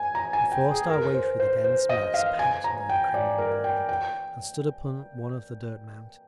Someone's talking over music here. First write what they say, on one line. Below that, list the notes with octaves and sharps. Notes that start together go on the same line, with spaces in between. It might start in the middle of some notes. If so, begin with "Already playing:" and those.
We forced our way through the dense mass packed near the Kremlin wall, and stood upon one of the dirt-mountains.
Already playing: G#5
A#5
G#5
G5
G#4
A#4
C5
C5
C5
D#5
F5
G#5
A#5
G5
D5
A#4
G5
G5